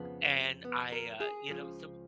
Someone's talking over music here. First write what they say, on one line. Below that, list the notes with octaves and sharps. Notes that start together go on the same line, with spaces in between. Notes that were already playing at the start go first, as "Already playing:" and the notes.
and I, uh, you know, so
Already playing: F2 C#3 F3 B3
B3
A#4
G#4
C#2 C#3 F3